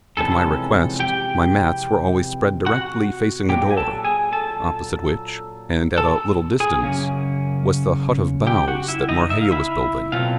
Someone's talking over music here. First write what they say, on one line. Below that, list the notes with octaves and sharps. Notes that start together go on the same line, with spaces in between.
At my request my mats were always spread directly facing the door, opposite which, and at a little distance, was the hut of boughs that Marheyo was building.
F2 C3 E3 G#3 C#4 A4 A5
G4 G5
F#4 F#5
A#2 F#3 A#3 G4 G5
G#5
A4 A5
G#4 G#5
A4 A5
A4 A5
G#4 G#5
F#2 C#3 A#3 C#4
G4 G5
F#4 F#5
E4 E5
D#4 D#5
E5
F5
E4 E5
B2 F#3 A3 C4 F4 F5